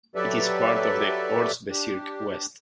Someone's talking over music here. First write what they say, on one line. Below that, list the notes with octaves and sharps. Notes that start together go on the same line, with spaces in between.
It is part of the "Ortsbezirk West".
F#3 G4 A4 B4 D5 E5
D4 G4